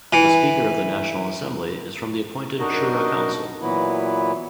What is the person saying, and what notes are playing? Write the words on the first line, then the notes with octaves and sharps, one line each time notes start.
The speaker of the National Assembly is from the appointed Shura Council.
E3
F#2 D4 D#4 F#4 A#4 D#5
A#2 E3 F#3 B3 E4